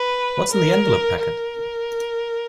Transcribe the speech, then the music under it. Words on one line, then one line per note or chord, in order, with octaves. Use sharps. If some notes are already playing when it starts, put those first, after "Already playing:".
What's in the envelope packet?
Already playing: B4
A#4
A#4